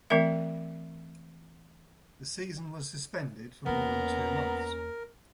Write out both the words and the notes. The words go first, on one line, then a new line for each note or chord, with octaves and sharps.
The season was suspended for more than two months.
E3 A3 C4 A#4 E5
E2 A#3 B3 C#4 A#4 A#5